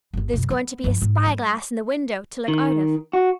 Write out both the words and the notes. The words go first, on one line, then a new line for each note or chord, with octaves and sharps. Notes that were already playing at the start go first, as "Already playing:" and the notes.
There's going to be a spy-glass in the window, to look out of.
G1 D#2
F#2 B2
B3
G2 F3
G#2
G3
D#3
F#4